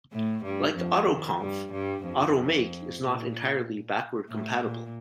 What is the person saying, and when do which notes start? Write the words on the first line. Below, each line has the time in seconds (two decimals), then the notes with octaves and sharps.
Like Autoconf, Automake is not entirely backward compatible.
0.13 A2 A3
0.44 G2 G3
0.76 F2 F3
1.08 D#3
1.40 G2 G3
1.72 G2 G3
2.04 F2 F3
3.01 A#2
4.29 A2
4.61 A#2